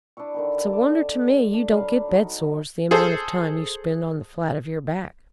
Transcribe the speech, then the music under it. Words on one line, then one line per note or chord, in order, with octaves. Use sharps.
"It's a wonder to me you don't get bed sores--the amount of time you spend on the flat of your back."
D4 E4 E5 C#6
D3 D#3 G4
D5 A5
D4
F#3 G3 B4 F5
D#4 F#4
G#4 A4 C5